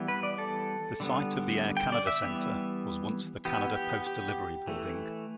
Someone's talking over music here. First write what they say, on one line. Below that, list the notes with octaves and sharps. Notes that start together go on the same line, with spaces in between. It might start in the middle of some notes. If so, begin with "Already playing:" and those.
The site of the Air Canada Centre was once the Canada Post Delivery Building.
Already playing: E3 G3 B3
B4
D5
A4
D3 G3 B3
G5
D5
E5
E3 G3 B3
E3 B3 G4
G4
G4
E3 A3